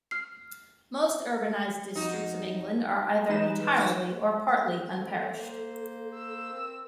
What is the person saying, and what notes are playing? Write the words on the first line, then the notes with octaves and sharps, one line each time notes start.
Most urbanised districts of England are either entirely or partly unparished.
F6 C7
F2 D#4 F#4
E3 G#3 D#4 B4 E7
F2 C4 A4
A#3 C5
E6
C4 A#4